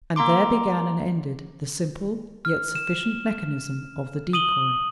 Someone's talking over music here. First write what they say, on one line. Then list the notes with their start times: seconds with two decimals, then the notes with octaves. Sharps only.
And there began and ended the simple yet sufficient mechanism of the decoy.
0.16 A#3 A#5 C6 D6
2.45 F6
2.75 E7
4.33 D#6 D#7 F#7 G7